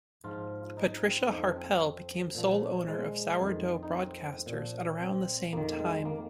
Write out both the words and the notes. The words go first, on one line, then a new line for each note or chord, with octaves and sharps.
Patricia Harpel became sole owner of Sourdough Broadcasters at around the same time.
G#2 F3 F4
D#4
C4
F2 F3 D#4
C4
A#2 F3
G#3
F2 D#3
D#4
C4
A#2
F3
C4
F2 D#3 A#3
G#3
A#3